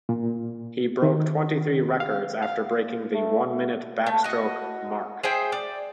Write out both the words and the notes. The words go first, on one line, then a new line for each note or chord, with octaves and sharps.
He broke twenty-three records after breaking the one-minute backstroke mark.
A#2
D#3
F5
F5
A3
A3
F#4 D#5
G#4 C5 E5 G5
D5